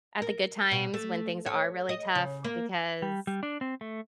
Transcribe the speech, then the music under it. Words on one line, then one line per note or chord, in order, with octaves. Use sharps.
at the good times when things are really tough because
A#4
B2
A3
C#5
D#5
C#3
A#3
G3
G3
D4
C4
A3